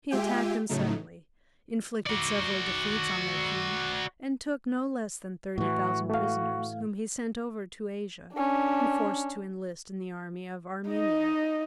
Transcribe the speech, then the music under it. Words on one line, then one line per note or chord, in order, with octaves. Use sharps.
He attacked them suddenly, inflicted several defeats on their king, and took no less than thirty thousand prisoners, whom he sent over to Asia, and forced to enlist in the army of Armenia.
G#3 F4 G4 E5 G5 G#5
A2 C#3 F#3 A3 D#4
F#4 D5
A2 E3 F#4
A3 F#4 F5
C#4 D4
D#4 D#5